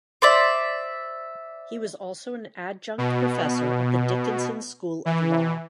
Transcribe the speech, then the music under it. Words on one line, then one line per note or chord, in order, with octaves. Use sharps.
He also was an adjunct professor at the Dickinson School of Law.
C5 D5 E5
B2
E3